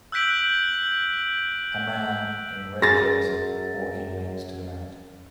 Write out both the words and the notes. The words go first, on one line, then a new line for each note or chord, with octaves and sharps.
A man in red jersey walking next to the mountain.
E6 F#6 G6 B6 D7 F#7
F#2 G#4 A6 A#6